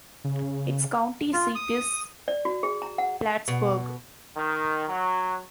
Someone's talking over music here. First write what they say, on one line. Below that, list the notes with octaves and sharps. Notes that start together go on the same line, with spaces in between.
Its county seat is Plattsburg.
C#3
F4
D#6
D5
F#4
G#4
A#5
F#5
B2
D#3
F#3